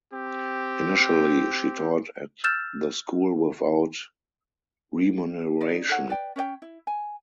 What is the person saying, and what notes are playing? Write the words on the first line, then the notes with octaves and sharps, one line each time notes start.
Initially she taught at the school without remuneration.
C4 G4
E6 F6 G6 A6 E7
D#4 D5
D#4 A4 C#5 F#5
B4 D5 G5
C#4 C#5 D5 G5
E4
G#5